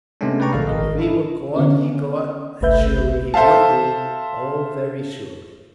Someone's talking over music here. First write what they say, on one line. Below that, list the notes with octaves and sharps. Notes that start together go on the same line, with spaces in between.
If he were caught, he thought, as surely he would be--oh, very surely!
C3 G#3 A3 B3 C#4 D4
B4 D5 G5 A#5 C#6
A#1 D3 G#3 A4 F5
G#1 A#4 D#5
D4 E4 A4
D3 B3 C#4
G1 C2 A3 B4 E5 G6
A4 C5 E5 F5 A5